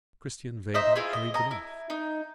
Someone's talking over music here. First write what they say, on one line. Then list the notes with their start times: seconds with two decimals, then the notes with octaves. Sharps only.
Christian Weber hurried them off.
0.74 D#4 C5 D#5 E5
0.96 E4 F4 G#4
1.13 D#5
1.34 D#5 A#5
1.51 E4
1.90 D#4